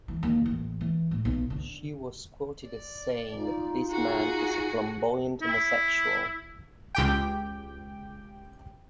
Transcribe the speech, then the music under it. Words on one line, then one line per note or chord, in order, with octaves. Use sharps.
She was quoted as saying, This man is a flamboyant homosexual.
E3
D#2
A1
E3
A2
B1
D3
D5
D#4 F4
F#4 G#4
E4
C#2 G4 G5